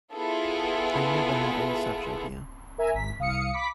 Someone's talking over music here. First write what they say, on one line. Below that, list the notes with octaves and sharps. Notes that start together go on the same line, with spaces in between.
I never had any such idea.
B3 E4 F4 G#4 A4
A#4 E5 G#5 A#5
G#1 B6
C2 F5 D#6 C#7
B5 D6 B6